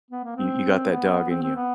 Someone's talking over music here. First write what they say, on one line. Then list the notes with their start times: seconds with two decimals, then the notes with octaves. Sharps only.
You you got that dog in you.
0.11 B3
0.24 A#3
0.37 C4
0.90 B3
1.30 C4
1.43 C4
1.56 B3